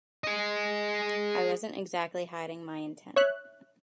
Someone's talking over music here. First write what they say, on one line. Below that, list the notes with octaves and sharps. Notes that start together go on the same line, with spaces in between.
I wasn't exactly hiding my intent.
G#4 D#5
C#5 E5 F#6